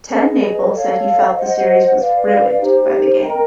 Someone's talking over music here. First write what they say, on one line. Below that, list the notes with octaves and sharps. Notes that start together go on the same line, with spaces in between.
TenNapel said he felt the series was "ruined" by the game.
G#4 B4 D#5
A4 C#5 F5
C5 D#5 F#5
B4 D5 F5
D#4 G4 C5
A#4 D#5 G5 A#5